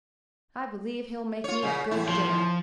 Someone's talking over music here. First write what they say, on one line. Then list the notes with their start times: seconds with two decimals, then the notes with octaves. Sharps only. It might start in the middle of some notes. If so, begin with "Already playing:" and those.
I believe he'll make me a good dinner.'
1.44 F4 C#5
1.62 A#2 C#3
1.91 E2 A2 E4
2.08 F3